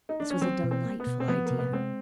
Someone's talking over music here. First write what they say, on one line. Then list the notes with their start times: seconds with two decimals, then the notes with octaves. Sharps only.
This was a delightful idea.
0.09 D#4
0.20 D4
0.30 C#4
0.41 F#3 C4
0.64 B2
0.71 C4
0.85 A#3
1.00 B3
1.07 B2
1.20 C4
1.28 F3 B3
1.45 A#3
1.51 C3
1.59 B3
1.72 G#3 C4